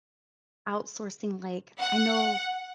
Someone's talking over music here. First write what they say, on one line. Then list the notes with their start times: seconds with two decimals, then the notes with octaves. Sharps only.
outsourcing, like I know,
1.79 F#5